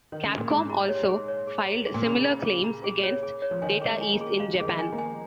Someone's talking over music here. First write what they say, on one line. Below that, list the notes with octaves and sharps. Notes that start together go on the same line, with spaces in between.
Capcom also filed similar claims against Data East in Japan.
D#3
C#3
A#2
G#2 G#4
A#5
C#5
G#4
C#5
G#4
A#5
G#4
A#2
C#3 G#4
A#5
G#4
A#5
G#4
C#5
G#4
C#5
F3
D#3 G#5
G#4
G#3
G#5
A#3
G#4
G#3 F5
D#3 G#4
F3
G#5
A#3
G#5